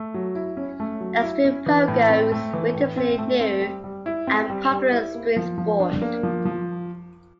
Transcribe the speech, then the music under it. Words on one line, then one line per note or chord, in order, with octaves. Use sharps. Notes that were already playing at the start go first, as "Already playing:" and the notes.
Extreme pogo is a relatively new and popular extreme sport.
Already playing: A3
F#3
E4
C#4
A3
F#3
E4
C#4
E3
A2
C4
A3
E3
A2
C4
A3
C4
G3
G3
E4
C4
G3
G3
E4
A#3
F3
F3
D4
A#3
F3
F3